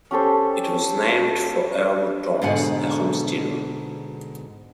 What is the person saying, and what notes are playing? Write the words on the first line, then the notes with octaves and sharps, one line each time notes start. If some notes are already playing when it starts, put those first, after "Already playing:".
It was named for Elwood Thomas, a homesteader.
C#4 G4 A4 C5
G#2 B2 D3 F#5 G#5